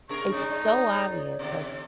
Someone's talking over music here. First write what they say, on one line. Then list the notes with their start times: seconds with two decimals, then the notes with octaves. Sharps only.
it's so obvious, like,
0.09 B2 D4 G#4 A#4 C#6
0.32 C3 G3 D4 D#4 C#5
0.49 G#3 D5
1.39 B2 D3 E3